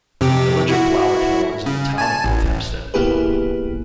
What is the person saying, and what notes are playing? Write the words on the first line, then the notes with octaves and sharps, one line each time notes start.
The Village of Flower Hill is in the Town of North Hempstead.
F2 C3 G4
E4 F#4
C#3
G#5 A5
A1
A#3 B3 E4 G4 G#4 B4